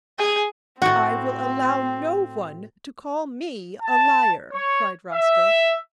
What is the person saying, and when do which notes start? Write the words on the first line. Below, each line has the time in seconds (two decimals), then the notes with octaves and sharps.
"I will allow no one to call me a liar!" cried Rostov.
0.18 G#4
0.82 A2 C4 F#4 F#5
3.82 A5
4.52 C#5
5.12 E5